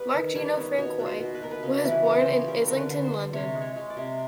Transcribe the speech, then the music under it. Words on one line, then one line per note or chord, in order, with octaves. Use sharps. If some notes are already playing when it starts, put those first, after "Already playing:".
Mark Gino Francois was born in Islington, London.
Already playing: G3 B3 B4
D#3
G3 C#5
B3
B2 C#5
B2
C5
B2
B4
B2 A#4
B4
C#3
E3
B4
C#3
C5
C#3
G3 A#4
D3 A#4
B4
D3
C5
D3
C3 C#5
G#3
C#5
G#3
D5
C3